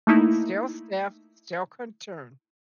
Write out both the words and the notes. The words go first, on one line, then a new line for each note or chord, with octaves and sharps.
Still stiff, still couldn't turn.
A3 A#3 D#4 E4